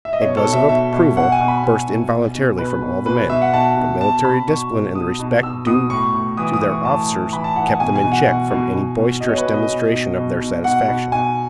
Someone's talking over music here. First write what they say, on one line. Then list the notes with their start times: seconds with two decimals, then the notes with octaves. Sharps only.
A buzz of approval burst involuntarily from all the men, but military discipline and the respect due to their officers kept them in check from any boisterous demonstration of their satisfaction.
0.05 E5
0.13 D#5
0.22 B2 C#5
0.37 A4
0.46 B2
0.53 E5
0.69 B2 E5
0.93 B2
1.17 B2 F#5
1.32 G#5
1.40 B2
1.48 B5
1.64 B2 G#5
1.88 B2
2.12 B2
2.35 B2
2.58 B2 B4
2.82 B2
3.05 B2 B4
3.30 B2 E5
3.42 F#5
3.53 B2 A5
3.77 B2
4.01 B2 A5
4.24 B2 B5
4.48 B2 C#6
4.72 B2
4.95 B2 D#6
5.20 B2
5.43 B2 E6
5.67 B2 D#6
5.90 A2 C#6
6.14 A2
6.37 E3 D#6
6.54 D#6
6.62 E3
6.70 C#6
6.85 A2 A5
7.09 A2
7.33 E3 B5
7.44 A5
7.56 E3 F#5
7.68 G#5
7.80 B2 G#5
7.96 G#5
8.04 B2
8.12 F#5
8.27 B2
8.51 B2
8.74 B2
8.98 B2
9.20 B2 D#5
9.29 C#5
9.38 B4
9.46 B2
9.53 D#5
9.70 B2
9.93 B2
10.17 B2
10.41 B2
10.64 B2 F#5
10.88 B2
11.12 B2 G#5